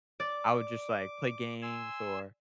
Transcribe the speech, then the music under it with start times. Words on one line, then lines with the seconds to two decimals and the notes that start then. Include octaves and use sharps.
I would just, like, play games or
0.20 D5 D6
1.62 G#5 C6 E6